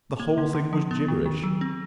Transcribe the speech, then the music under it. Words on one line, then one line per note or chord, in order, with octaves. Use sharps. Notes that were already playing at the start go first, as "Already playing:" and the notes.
The whole thing was gibberish!
A#3
D3
D3
F3
B3
D#3
D#3
F#3
C4